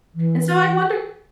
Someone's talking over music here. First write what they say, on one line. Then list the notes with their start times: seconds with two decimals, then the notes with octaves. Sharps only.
and so I wonder
0.15 E3